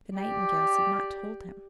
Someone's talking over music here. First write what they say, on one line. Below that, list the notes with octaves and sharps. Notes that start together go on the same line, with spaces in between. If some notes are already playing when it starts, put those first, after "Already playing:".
The nightingales had not told him.
G4 D5